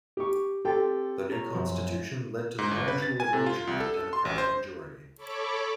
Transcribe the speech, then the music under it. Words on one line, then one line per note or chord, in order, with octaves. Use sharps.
The new constitution led to the gradual erosion of the Democratic majority.
G4 C#6
C4 G4 A4 G5 A6
C#5 A#5
F#2 F3
G#2
G1
B4
A6
G#5
C3
F4
C2
A4
C6
A1
C5
A4 C#5 B5 C#6 D6